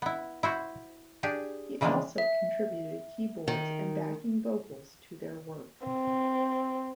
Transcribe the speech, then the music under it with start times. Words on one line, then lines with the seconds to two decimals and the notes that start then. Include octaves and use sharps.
He also contributed keyboards and backing vocals to their work.
0.02 B3 E4
0.43 E4 F#4 C5
1.23 D4 G4 G#4
1.81 C#3 E3 F3 G#3 A#3 D4
2.18 E5
3.48 D#3
5.87 C4